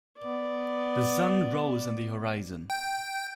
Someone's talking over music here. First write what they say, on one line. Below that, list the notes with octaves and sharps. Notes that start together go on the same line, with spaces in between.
The sun rose on the horizon.
B3 D5
G5